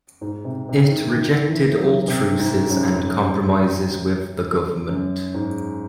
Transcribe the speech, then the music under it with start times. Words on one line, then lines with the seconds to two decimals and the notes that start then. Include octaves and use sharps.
It rejected all truces and compromises with the government.
0.21 G#2
0.45 C3
0.69 C3
0.91 D#3
1.16 D#3
1.46 E3
1.77 F#3
2.08 C3
2.39 G#2
2.70 F#2
4.88 F#2
5.34 G#2